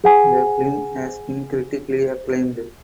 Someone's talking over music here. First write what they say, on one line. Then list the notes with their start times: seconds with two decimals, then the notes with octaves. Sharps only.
The film has been critically acclaimed.
0.04 G#4 F#5 G#5